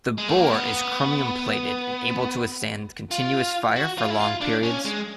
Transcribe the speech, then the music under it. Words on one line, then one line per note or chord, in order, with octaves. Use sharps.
The bore is chromium-plated and able to withstand continuous fire for long periods.
G#3
A3
A#3
B3
F4
F#4
F4
E4
F4
D4
C#4
G#3